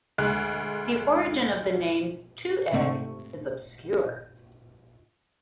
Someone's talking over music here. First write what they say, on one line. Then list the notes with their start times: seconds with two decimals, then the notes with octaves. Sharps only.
The origin of the name Two Egg is obscure.
0.18 D2 G#3 F#6
2.72 G#2 C3 A3 C4 C#6